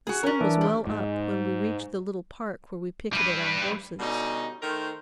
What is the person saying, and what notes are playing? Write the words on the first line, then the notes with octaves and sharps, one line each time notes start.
The sun was well up when we reached the little park where we picketed our horses.
F#4 G#4
C#4 A#4
E3 D4
G3
G#2
G3 B4
B2 D3 G3 C#4 D#4
D#3 A3 A#4 C5